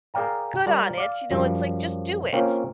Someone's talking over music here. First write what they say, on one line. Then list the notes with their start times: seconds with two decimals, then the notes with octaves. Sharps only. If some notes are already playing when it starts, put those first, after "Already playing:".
good on it, you know, it's like just do it,
0.14 G#4 A#4 D5 F5 G5 A#5
0.66 G3 A#4 D5
0.97 D5 F5
1.31 F#2 F3 G3
2.33 A#3 C4 C#4 F4